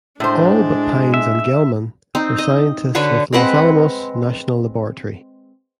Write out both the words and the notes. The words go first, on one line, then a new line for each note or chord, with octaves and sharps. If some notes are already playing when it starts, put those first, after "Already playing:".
All but Pines and Gell-Mann were scientists with Los Alamos National Laboratory.
A2 G#3 D4 C5
E5
C4 D#4
D#5
D3 F#4 B4 C#5
G#3 C4 B4 F#5